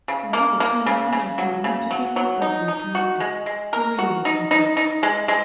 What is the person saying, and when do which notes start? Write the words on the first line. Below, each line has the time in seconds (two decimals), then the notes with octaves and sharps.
Rather too large a sum to keep locked up in a casket, the reader will confess!
0.08 C#3
0.33 A#3
0.60 A#3
0.86 C#3
1.13 C#3
1.38 F#3
1.64 C#3
1.91 F#3
2.16 F#3
2.42 D#4
2.68 D#4
2.95 F#4
3.20 G#3
3.46 G#3
3.73 A#4
3.99 F#4
4.25 D#4
4.51 D#4
4.77 D#4
5.03 G#3
5.28 G#3